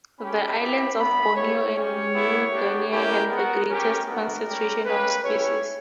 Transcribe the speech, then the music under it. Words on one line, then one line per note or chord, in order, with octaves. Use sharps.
The islands of Borneo and New Guinea have the greatest concentration of species.
C#4 G4 B5
B3 E4 G4
G3 B3 D4 B5
B3 E4 G4 C#5
G3 C#4 G4 C#5
B3 E4 G4
B3 D4 G4
G3 A#3 C#4 E4 G4 A#4
B3 F#4
C#4 G4
B3 D4 F#4 A#4
G3 C#4 G4
G3 A#3 C#4 G4 B4
C#4 E4 G4 C#5